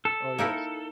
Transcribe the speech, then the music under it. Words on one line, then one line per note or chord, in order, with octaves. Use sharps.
Oh, yes.
A4
A#3 D#4 E4